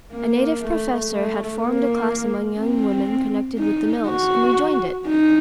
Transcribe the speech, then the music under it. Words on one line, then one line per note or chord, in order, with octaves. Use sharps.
A native professor had formed a class among young women connected with the mills, and we joined it.
A#3
A3
A3
A#3
C4
D#4
F#4
D#4